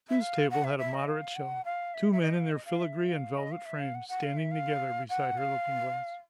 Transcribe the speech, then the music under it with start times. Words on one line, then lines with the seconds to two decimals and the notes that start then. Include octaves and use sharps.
Sue's table had a moderate show, two men in their filigree and velvet frames standing together beside her looking-glass.
0.09 E5
0.21 F5
0.51 F#5
0.64 E5
0.78 E5
0.94 D#5
1.08 F5
1.36 F#5
1.65 F5
1.94 E5
2.12 E5
2.22 D#5
2.36 F5
2.51 D#5
2.65 F5
2.80 E5
3.08 F5
3.37 D#5
3.52 F5
3.65 E5
3.79 F5
3.95 F#5
4.09 F#5
4.23 F5
4.37 E5
4.51 F5
5.09 F#5
5.38 F5